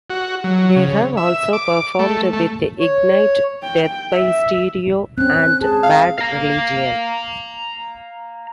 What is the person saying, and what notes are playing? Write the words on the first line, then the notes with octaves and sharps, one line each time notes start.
They have also performed with Ignite, Death By Stereo, and Bad Religion.
F#4
F#3
C#3
E5
D6
A3
A3
C#5
G5
E5
C4 C#4 F#6
G#4 A5
F5
F5 A#5